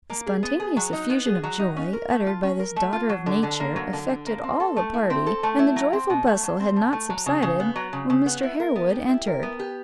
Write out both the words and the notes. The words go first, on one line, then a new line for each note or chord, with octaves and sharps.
The spontaneous effusion of joy, uttered by this daughter of nature, affected all the party, and the joyful bustle had not subsided when Mr. Harewood entered.
A#3
G#4
B3
G#4
F#3
D#4
B3
G#4
F#3
D#4
C#4
A#4
A3
F4
C#4
A#4
A3
F4
F#3
D3
D3
A#3
F#3
D3
D3
A#3
C4
A4
A3
E4
C4
A4
A3
E4
F#3
C4
B2
A3
F#3
C4
B2
A3
F#3
C#3
C#3
B3
F#3
C#3
C#3
B3
E4
A#4
B3
G4
E4
A#4
B3
G4